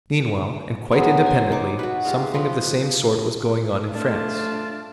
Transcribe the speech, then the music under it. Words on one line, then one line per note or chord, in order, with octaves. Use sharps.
Meanwhile, and quite independently, something of the same sort was going on in France.
D#3 F#3 G#3 B3
C5 G#5
D#4 D6
F#4 B4
G#3 F4 G4
F3 B4 D#5
A3 D4 F4 A5